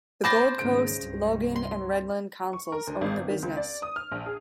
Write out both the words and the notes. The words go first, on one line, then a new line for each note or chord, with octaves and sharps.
The Gold Coast, Logan and Redland councils own the business.
C5 A5 B5 C6 D6 A#6
D#2 G#2 C#3 D7
C2 G2
C6
C#6
A#4
D2
G#1
G1
D#3
C#2
D5
D#6
F6
A#1
G#4